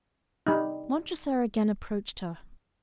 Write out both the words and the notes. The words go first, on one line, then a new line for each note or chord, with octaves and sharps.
Montresor again approached her.
G3 D#4